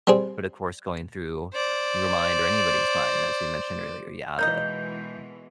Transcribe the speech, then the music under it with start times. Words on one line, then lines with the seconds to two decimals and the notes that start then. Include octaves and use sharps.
but, of course, going through your mind or anybody's mind, as you mentioned earlier, yeah, the
0.07 G3 C4 G#4
1.54 C5 D5
4.39 B2 E3 G#3 A#3 D#4 D#5 G6